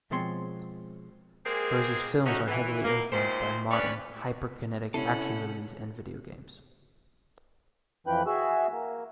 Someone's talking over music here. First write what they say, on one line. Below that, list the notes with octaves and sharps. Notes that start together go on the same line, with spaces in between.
Rose's films are heavily influenced by modern, hyperkinetic action movies and video games.
B2 F3 G#3 C4 C#5 C6
G#3 A#3 C4 G4 G#4 A#4
D3 A3 C#4 D#4 F#4
E3
B2 A#3
D#2 A#2 E4 C5
C#4 D4 B4 C#5 D5
C3 C#4 E4 A4 F#5 C7 D#7
F2 E3 F3 B4 G5 F#6
F#4 G#4 E5
A#3